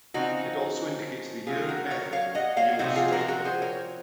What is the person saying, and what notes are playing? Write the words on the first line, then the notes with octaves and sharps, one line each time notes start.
It also indicates the year and method of repeal or strikedown.
C#3 F3 C4 D#4 F#4
C3 F#3 C4 F4 G#4
F#4 A#4
A#4 C#5
C#5 F5
D#5 F#5
C#5 F5
C3 F3 C4 D#4 F#4
F4 G#4
F#4 A#4
G#4
F#4 A#4
G#4 C5
A#4 C#5